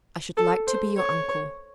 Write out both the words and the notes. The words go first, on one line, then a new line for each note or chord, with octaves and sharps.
I should like to be your uncle.'
A4
C5
C#5